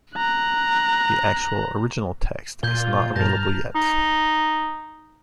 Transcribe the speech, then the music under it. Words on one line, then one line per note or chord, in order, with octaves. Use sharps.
The actual original text is not available yet.
A#5 F#6
A#2 F4 G6 G#6 G7
G2 A5 A#5 F6 G6 A#6
D#4